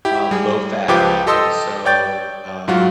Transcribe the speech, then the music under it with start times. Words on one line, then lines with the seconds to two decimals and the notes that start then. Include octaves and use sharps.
um, low-fat, and so, um,
0.05 E4 G4
0.31 G3 G#4
0.88 C#2 F3 G4 B4 D6
1.27 G4 A4 D#5 C6 D#6 E6
1.85 C#5 D5 G5 G6 A6
2.68 G#2 F#3 F4 F#4